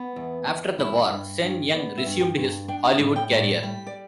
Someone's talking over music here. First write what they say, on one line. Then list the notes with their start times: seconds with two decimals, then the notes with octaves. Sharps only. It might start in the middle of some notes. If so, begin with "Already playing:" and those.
After the war, Sen Yung resumed his Hollywood career.
Already playing: B3
0.16 E2
0.48 E2
0.79 E4
1.10 G2
1.42 G2
1.73 B3 D5
1.98 E5
2.06 G2
2.21 G5
2.37 G2
2.44 A5
2.68 D4 G5
2.92 A5
2.99 A2
3.16 G5
3.31 A2
3.39 D5
3.63 G3
3.87 D5